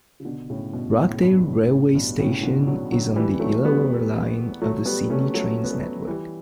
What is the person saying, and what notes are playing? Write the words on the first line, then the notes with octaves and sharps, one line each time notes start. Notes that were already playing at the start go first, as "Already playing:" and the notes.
Rockdale railway station is on the Illawarra line of the Sydney Trains network.
C#3
B2 D3
A2 C#3
G2 B2
A2
A2
G2
A2
A2
G2 B2
A2 C#3
B2 D3
D3 F#3
D3 F#3
E3 G3
F#3 A3
G3 B3
F#3 A3
G3 B3
A3 C#4
F#3 A3
B3
A3 C#4
E3 G3